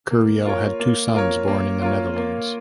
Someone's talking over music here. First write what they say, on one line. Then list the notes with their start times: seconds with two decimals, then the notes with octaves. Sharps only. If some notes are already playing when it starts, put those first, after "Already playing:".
Curiel had two sons born in the Netherlands.
0.11 A#3
0.45 F4 A#4 C#5
0.80 A#3
1.14 F4 A#4 C#5
1.48 A#3
1.82 F4 A#4 C#5
2.16 A#3